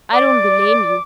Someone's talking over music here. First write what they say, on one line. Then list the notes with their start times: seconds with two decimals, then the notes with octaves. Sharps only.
I don't blame you.
0.13 D5 D6